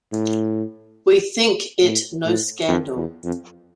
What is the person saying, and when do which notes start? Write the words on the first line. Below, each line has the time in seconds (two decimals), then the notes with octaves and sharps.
We think it no scandal.
0.12 A2
1.83 A2
2.25 A2
2.68 F2
2.96 E2
3.24 F2